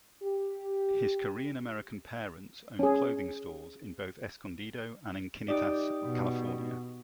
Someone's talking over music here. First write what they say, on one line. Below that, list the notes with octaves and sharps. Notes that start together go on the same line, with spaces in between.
His Korean American parents owned clothing stores in both Escondido and Encinitas, California.
G4
C#4 G#4
D#4 G4 D5
B2